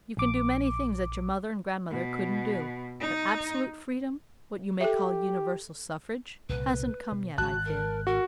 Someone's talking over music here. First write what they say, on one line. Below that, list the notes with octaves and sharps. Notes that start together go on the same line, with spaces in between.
You can do many things that your mother and grandmother couldn't do; but absolute freedom,--what you may call universal suffrage,--hasn't come yet, I fear.
A#1 D6
B2
D#4
G4 A4 E5
C2 A#2 C#3 B4
B2
G#1 G#3 F#4 A5 F#6
A#4
F#4 A#4